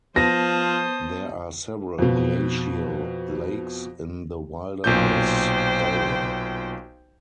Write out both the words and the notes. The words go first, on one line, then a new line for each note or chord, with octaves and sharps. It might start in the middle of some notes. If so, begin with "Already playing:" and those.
There are several glacial lakes in the wilderness area.
F3 B3 C5 A5 D#6 A#6
F2 B2
B1 A#2 C5 G5 G6